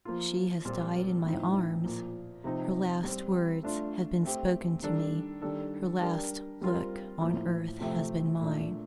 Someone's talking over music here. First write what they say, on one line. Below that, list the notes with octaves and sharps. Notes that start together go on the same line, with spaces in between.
She has died in my arms: her last words have been spoken to me, her last look on earth has been mine.
F3 A#3 F4
A#2 G3 C4 F4
A2 F3 C4 D#4
A#2 F3 A#3
C3 F3 C4 D#4
G3 C4 G4
A3 D4 F4
A3 C4 G4
D#3 G3 D4 A4
D#3 G3 D4 A4
G3 D4 G4 A#4
G3 C4 F4 A#4
A2 F3 A#3
C3 F3 A3 C4 G4
A#2 A3 D4